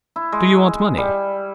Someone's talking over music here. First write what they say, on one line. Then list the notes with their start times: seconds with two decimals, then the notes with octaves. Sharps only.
Do you want money?
0.16 E4
0.32 G#3
0.98 G3